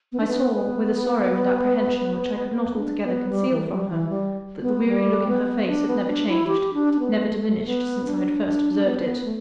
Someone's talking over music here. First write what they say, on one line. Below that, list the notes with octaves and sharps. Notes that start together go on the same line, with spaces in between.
I saw, with a sorrow and apprehension which I could not altogether conceal from her, that the weary look in her face had never changed, never diminished since I had first observed it.
B3
D4
B3
B3
B3
D4
B3
G3
E3
G3
E3
G3
B3
G3
B3
D4
B3
D4
E4
G4
D4
D4
B3
A3
A3
B3
D4
D4
D4
B3
D4
B3
A3